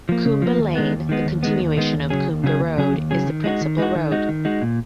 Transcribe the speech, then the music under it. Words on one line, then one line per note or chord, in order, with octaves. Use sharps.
Coombe Lane, the continuation of Coombe Road, is the principal road.
F3 A#3
C#3
F3 A#3
D#2
D#3 G#3 B3
D#2
D#3 G#3 B3
D#2
D#3 G#3 B3
D#2
D#3 G#3 B3
D#2
C#3 F#3 C#4 G#4
D#2
C#3 F#3 C#4 G#4
D#2
C#3 F#3 C#4 G#4
D#2
C#3 F#3 C#4 G#4
D#3
G#3 D#4 F#4
D#3
G#3 D#4 F#4
D#3
G#3 D#4 F#4
D#3
G#3 D#4 F#4
A#2